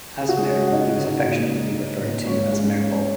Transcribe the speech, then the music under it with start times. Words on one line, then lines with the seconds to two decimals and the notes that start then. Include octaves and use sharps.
As mayor, he was affectionately referred to as Mayor Bob.
0.21 C#3 G#4
0.29 F#4
0.37 G#4
0.47 G#3 C#4 C#5
0.67 F#5
0.72 C#4 D#4 D#5
0.89 F#4 F#5
0.99 C#3
1.06 D#4 D#5
1.24 A#2
1.50 G#3
1.75 C#4
2.01 A#2
2.27 G#2 C#4 C#5
2.52 G#3 C#4 C#5
2.78 C#4